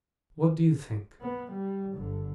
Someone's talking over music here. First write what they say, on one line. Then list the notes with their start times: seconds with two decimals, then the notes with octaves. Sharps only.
'What do you think?
1.21 B3
1.52 G3
1.94 G1 D3